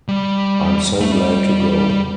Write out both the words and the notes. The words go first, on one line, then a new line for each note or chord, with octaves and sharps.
I'm so glad to go!
G3
A3
G3